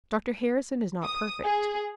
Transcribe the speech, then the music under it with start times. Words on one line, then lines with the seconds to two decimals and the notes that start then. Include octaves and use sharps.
Dr Harrison is not perfect.
1.04 D#6
1.44 G#4